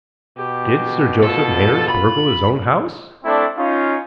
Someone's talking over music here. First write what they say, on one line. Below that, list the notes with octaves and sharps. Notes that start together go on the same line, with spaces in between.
"Did Sir Joseph Maynard burgle his own house?"
B2 G4
F4 A4
B5
A3 C4 D4 E4
C#4 D#4 F4